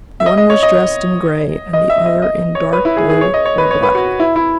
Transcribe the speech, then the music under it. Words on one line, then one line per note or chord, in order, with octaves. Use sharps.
"One was dressed in gray and the other in dark-blue or black."
E5
D#5
D#5
C#5
D#5
D#5
E5
D#5
D#5
C#5
B4
E4
G#4
G#4
C#5
D#5
C#5
B4
C#5
B4
F#4
E4
E4